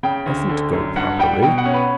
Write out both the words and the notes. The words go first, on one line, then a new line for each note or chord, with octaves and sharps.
Doesn't go properly.
C#3 G5
D2
D3
F#2
G2 F#5
G3 G5
B2 G5
F#5
C#4
B4